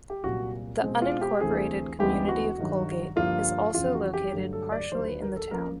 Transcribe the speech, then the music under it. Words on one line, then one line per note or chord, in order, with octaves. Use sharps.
The unincorporated community of Colgate is also located partially in the town.
G4
C2 A#2 F#3 F#4
B2 G#3 C4
F4
G4
D2 C3 E3 A3 C4 G#4
D2 C#3 E3 G#3 B3 G4
F#4
G2 D#3 F#3
G2 D3 F3 A#3 F4
F2 C#3 E3 F4
F#4
G4
G2 D3 F#3 A3
A4
D5
D#2 D3 F#3 A#3 C5
B4
A#4
A4
C#2 C#3 F3 A#3 A#4